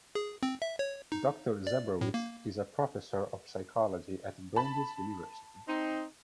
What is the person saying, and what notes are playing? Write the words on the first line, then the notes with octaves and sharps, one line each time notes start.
Doctor Zebrowitz is a professor of psychology at Brandeis University.
G#4
C4
E5
C#5
D#4
D5
A2
A#3
A5 B5
C4 D#4